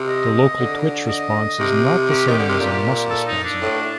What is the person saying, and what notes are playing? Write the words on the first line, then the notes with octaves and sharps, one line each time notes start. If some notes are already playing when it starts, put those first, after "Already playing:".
The local twitch response is not the same as a muscle spasm.
Already playing: C3
D#5
D3
D#5
C3
G4
D#3
D3
C3
A#2
A4
D#4
D4
A2